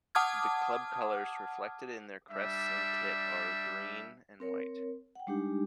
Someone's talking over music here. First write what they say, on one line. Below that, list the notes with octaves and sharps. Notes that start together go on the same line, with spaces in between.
The club colours, reflected in their crest and kit, are green and white.
F#5 A5 D6 D#6 F6 G#6
G3 D4 E5
C4 A#4 C#5
F#5 G5
G3 G#3 D4 D#4 G4